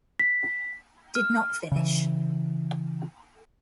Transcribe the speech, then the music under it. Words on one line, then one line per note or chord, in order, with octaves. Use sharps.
Did not finish.
B6
F6
C#3 E3